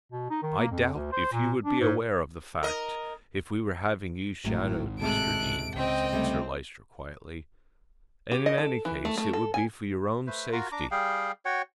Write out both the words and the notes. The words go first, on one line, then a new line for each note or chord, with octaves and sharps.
"I doubt if you would be aware of the fact if we were having you shadowed, Mr. Dene," said Sir Lyster quietly, "and in any case it would be for your own safety."
B2
D#4
D#3
A#3
F2
D2
C5
A#2
D4
G#2
A#4 D#5
G#1 A2 F#3
A2 C3 G#3 A4 F#6 D7
C#2 C4 D#5 G5
C3 G3 A3
G4
D#5
A4
E3
A3
A3
A4
G#5
A3 B4 C5
F4 F#4 A#4
D4 A#5 D6
G3 G#4 F5 G5
F#4 C#5 F#5 G5